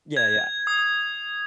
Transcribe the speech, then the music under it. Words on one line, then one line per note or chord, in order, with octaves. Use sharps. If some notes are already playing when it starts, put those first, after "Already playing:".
Yeah, yeah.
G#6
D#6